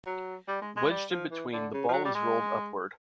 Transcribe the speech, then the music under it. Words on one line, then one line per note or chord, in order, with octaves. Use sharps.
Wedged in between, the ball is rolled upward.
F#3
G3
G#3
G#3
G3
F3
E3
D3
C#3
F3
F#3
G3
G#3